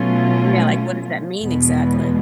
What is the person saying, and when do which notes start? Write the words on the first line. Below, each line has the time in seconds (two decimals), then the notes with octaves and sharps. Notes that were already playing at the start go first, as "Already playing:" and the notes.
Yeah, like what does that mean exactly?
Already playing: B2 F#3 A3 C#4 F4
1.39 E2 B2 G#3 B3